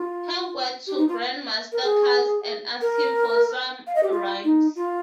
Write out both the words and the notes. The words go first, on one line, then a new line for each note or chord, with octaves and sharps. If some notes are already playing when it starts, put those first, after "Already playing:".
Hank went to Grandmaster Caz and asked him for some rhymes.
Already playing: F4
G4
D#4
F4
A#4
G#4
A#4
F5
D#5
G4
F4
D#4
F4